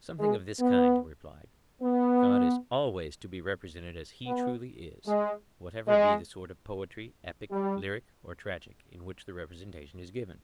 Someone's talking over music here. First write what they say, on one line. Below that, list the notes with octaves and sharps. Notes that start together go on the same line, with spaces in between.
Something of this kind, I replied:--God is always to be represented as he truly is, whatever be the sort of poetry, epic, lyric or tragic, in which the representation is given.
G#3
B3
B3
B3
G#3
G#3
G3